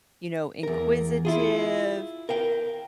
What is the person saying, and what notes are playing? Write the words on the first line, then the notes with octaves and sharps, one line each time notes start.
you know, inquisitive.
E2 A#4
E4 F4 G#4
A#4 F5 G5